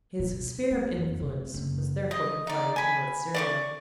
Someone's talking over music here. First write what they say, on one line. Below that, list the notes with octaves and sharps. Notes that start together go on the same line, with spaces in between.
His sphere of influence was therefore confined to North Syria.
B2
A#3
F2
C3
F#1
D#5
D#4 D5
G#5 B5
D5 C#6 D6